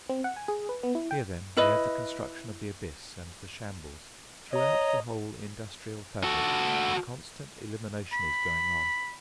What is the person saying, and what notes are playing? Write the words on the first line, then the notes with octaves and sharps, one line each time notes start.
Here, then, we have the construction of the Abyss and the shambles. Throughout the whole industrial fabric a constant elimination is going on.
C4
F#5
G#5
G#4
B4
B3
E4
G5
E4 B4 D#5
C#5 D#5 A#5
F#4 A4
B5